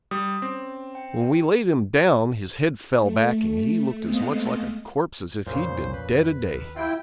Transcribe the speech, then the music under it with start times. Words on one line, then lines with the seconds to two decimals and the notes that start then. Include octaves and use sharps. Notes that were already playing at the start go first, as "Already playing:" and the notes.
When we laid him down his head fell back, and he looked as much like a corpse as if he had been dead a day.
0.11 G3 D#6
0.42 C4 C#4
0.95 G5
2.94 A3
4.00 G#3 A3 B3 C4 D#5 F5
5.47 F2 A#2 C#3 C5
5.93 B4
6.54 D#2
6.76 E4 F4 G4 G5